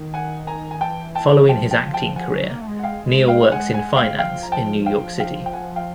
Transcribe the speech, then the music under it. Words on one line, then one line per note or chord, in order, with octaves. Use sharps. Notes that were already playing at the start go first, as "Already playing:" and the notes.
Following his acting career, Neil works in finance in New York City.
Already playing: D#3
F#5 G#5
G#5 A#5
G#5
E3 G5 A5
G5 A5
F3 G5 A5
G5 A5
G5 A5
F3 F#5 G#5
F#3
A#3
A3
G#3
F#5
F5 G5
F5 G5
F#5 G#5
F#5 G#5
F5 G5
F3 F5 G5
A#5
G5 A5
F5 G5
F5 G5
G5
F#5 G#5
F5 G5